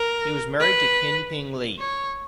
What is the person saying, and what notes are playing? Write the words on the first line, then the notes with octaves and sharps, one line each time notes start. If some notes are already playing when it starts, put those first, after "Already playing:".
He was married to Kin Ping Lee.
Already playing: A#4
B4
C#5